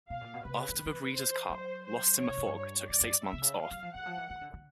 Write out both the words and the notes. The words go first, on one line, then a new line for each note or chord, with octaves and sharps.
After the Breeders' Cup, Lost in the Fog took six months off.
B2 F5
A#2
B2
C3 B4
C#3
E3
D#3
E3
C5
F#3 C5
C5
F3 C#5
C3
F#2
G2
C#5
G2 D5
F#2
E5
C3
C#3
F5
F#3
F3
E3 F#5
F3
E3
D#3
D3
D3